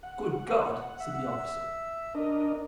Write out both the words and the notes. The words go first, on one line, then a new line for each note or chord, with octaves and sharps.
"Good God!" said the officer.
F#5
E5
D4 A#4 D#5